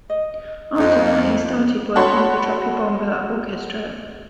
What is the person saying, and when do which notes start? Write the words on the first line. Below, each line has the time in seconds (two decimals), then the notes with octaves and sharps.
After that he started working with the Tropibomba Orchestra.
0.10 D#5
0.79 F2 D#4 D#5 A#5
1.96 F#4 A4 C#5 F#5 B5 C6